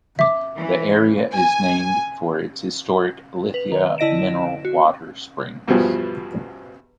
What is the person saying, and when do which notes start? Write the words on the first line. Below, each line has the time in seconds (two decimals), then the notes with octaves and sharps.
The area is named for its historic "lithia" mineral water springs.
0.19 E5 D6
0.55 E3
1.33 G#5
3.54 B4 F7
3.72 D#3
3.98 D3 E4 D#5 A#6 D7 E7
4.65 F#4
5.68 E2 G2 B2 F3